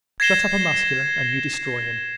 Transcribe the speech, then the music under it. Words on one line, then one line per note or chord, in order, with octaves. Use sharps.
Shut up a Muscular and you destroy him.
G#6 A#6 C7 E7 G7